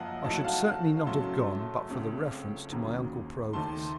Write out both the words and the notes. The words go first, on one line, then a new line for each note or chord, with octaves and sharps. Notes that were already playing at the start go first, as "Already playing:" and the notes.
I should certainly not have gone, but for the reference to my Uncle Provis.
Already playing: F#2 F3 A#3 D#5 F5 F#5 A5
A2 F#3 A3 D#4 A5
F#5
F5 A5
F#2 C#3 F#3 A3 A5 C6
C#2 C#3 A3 C4
D#2 C#3 F#3 A#3
D#2 D#3 A3 A5 C6